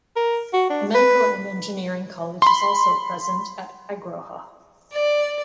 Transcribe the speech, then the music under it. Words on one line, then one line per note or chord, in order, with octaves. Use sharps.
A Medical and Engineering college is also present at Agroha.
A#4
F#4
D4
B4
B5 C6
D5